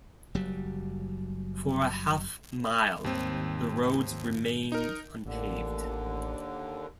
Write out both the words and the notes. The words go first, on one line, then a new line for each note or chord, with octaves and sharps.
For a half mile, the roads remains unpaved.
F#1 F#3 G3
D#2 G#2 D#3 G3 C4
D#4 A#4
A1 D#2 D3